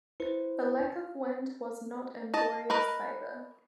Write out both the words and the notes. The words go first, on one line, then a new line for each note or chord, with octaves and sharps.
The lack of wind was not in Doria's favor.
E4 B4 C5
D#5 A5
A#4 B4 D#5